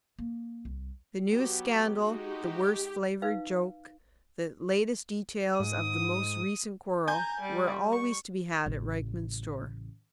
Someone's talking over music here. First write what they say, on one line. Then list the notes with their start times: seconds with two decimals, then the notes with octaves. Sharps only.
The newest scandal, the worst-flavoured joke, the latest details of the most recent quarrel, were always to be had at Rykman's store.
0.19 A#3
0.65 C2
1.30 F#3 B3 G4
2.04 G#3 D#4 F#4 G4
3.22 D#4 B4 F5
5.59 G#2 D#6
7.08 G#5 A#5 G6
7.40 G3
7.91 C#6
8.66 A1 C#3